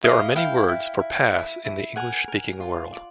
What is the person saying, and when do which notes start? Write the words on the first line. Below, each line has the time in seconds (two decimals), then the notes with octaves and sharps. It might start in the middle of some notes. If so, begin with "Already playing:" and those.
There are many words for "pass" in the English-speaking world.
0.03 E4 D#5 F5
0.35 E4 F5 G5
0.68 E4
1.00 E4
1.32 E4
1.64 E4
1.96 A#4 F#5 G#5
2.28 A#4
2.60 F4
2.93 D5